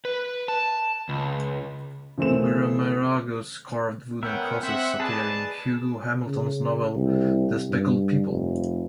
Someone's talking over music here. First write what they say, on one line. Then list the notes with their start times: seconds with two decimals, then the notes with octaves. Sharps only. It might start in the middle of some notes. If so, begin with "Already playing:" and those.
Oberammergau's carved wooden crosses appear in Hugo Hamilton's novel "The Speckled People".
0.05 B4
0.48 A5
1.09 C#2
2.18 C#3 E3 A3 C4 A#4 E7
4.23 B3 C#4 A#4 E5 F#5 G5
4.63 C4 C5 E5 F#5
5.00 G#4 B4 D5 D#5 G#5 A5
6.27 C#3
6.95 C2
7.70 G2
8.28 F1